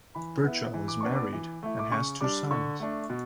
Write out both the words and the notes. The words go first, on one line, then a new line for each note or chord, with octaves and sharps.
Birchall is married and has two sons.
E3 B5
B3 E4
E3
D6
B3 D4 C#6
D6
E3
A3 E4
D6
C#3 C#6
G3 D4 D6
D3 C#6
A3 D4
B2